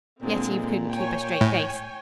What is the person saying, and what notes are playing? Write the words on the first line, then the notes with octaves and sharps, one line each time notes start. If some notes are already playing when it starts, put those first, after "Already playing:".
Yetive couldn't keep a straight face.
A#2 D3 G#3 C4
C#5 G5 G#5
A2